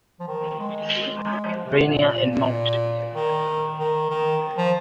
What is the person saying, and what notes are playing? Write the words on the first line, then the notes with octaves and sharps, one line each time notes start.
Rainier and Mt.
F3
D#3
G#3
G#3
F3
C3
A#2
A#2
A#2
D#3
D#3
D#3
F3